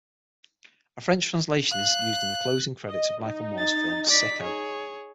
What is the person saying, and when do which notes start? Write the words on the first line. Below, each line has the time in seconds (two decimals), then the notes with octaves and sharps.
A French translation is used in the closing credits of Michael Moore's film "Sicko".
1.71 F5 F#6
2.88 D#5
3.23 D#4
3.58 A6
4.07 D5 B6
4.41 G#4 C#5